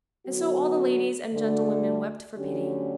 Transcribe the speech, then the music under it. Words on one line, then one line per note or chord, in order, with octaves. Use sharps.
And so all the ladies and gentlewomen wept for pity.
D3 F#3 B3 F#4
D2 D3 A3
D2 D3 F#3 C#4 G4